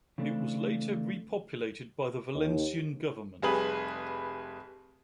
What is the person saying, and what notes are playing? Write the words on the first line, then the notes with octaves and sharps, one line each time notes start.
It was later repopulated by the Valencian government.
C#3 E3 A3 C4 D4
D#2
F1 G3 G#4 B4 F#7